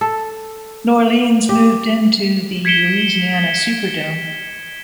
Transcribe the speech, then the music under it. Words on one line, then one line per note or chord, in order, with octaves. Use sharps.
New Orleans moved into the Louisiana Superdome.
A4
G4
G#6 B6 C#7 D7 E7 G7